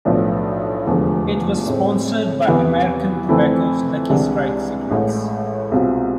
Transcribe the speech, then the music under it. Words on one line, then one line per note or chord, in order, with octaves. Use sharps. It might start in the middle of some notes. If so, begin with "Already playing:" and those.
It was sponsored by American Tobacco's Lucky Strike cigarettes.
B1 A2 F3 B3 D4
F1 E2 D3 F3 G#3
A2 G#3 C4
E2 C3 E3 B3 E4
F2 E3 A3 C4 E4
C2 C3 E3 G#3 D4
A1 A2 G#3
C2 B2 G#3 C4 F4